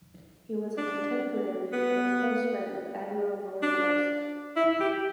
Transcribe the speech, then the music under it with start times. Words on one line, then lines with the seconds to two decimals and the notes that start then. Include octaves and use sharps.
He was a contemporary and close friend of Admiral Lord Nelson.
0.77 D4
1.73 B3
3.62 D4
4.56 E4
4.80 G4